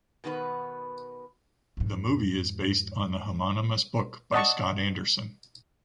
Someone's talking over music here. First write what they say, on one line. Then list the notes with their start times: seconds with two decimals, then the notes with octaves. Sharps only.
The movie is based on the homonymous book by Scott Anderson.
0.24 B2 D#3 B3 B4
1.77 F2 G#2
4.32 D5 D#5 F#5 A5 C#6